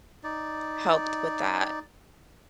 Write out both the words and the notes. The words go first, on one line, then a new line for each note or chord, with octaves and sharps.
helped with that.
D#4 D5